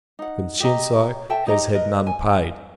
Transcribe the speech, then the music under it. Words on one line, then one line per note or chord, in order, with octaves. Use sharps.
Vincenzo has had none paid.
D#4 F#5
G4 G#4 D#5 A#5
A4 E5 G5 A5
D#4 G4 D#5 A#5
A#4 B4 D#5
G#5